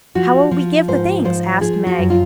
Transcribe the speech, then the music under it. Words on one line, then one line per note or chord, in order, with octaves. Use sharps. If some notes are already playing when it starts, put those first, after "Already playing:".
"How will we give the things?" asked Meg.
F3 F#4
F3 F4
G#2 C5
F3 C5
F3 G#4
F#4
F#2
F4